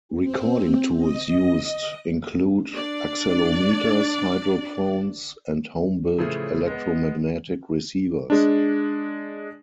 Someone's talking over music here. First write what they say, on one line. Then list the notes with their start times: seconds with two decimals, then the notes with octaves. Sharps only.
Recording tools used include accelometers, hydrophones and home-built electromagnetic receivers.
0.23 C4
0.98 D#5
2.71 D4 D5
6.18 A2 C#3 E3 F3 A3 G#4
6.66 G#3 B3
8.30 G#3 D4